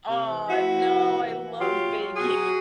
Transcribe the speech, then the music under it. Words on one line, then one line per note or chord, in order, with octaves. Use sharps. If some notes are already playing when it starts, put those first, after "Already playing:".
Aw, no, I love baking.
C3
E3
F3 E4 F#4
F3
C3
A2
E3
E3
F#3 F4 G4
A#2
F#3
B2 F#4 G#4
F#3